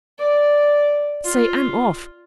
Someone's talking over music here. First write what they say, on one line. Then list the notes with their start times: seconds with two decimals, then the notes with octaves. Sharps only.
Say, I'm off!
0.19 D5
1.24 F4